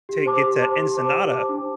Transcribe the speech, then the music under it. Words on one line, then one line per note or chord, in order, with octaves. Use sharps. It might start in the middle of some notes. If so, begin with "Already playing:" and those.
to get to Ensenada
G4
C5 A5 D6
G4
C5 A5 D6
G4
C5 A5 D6
G4
C5 A5 D6
D4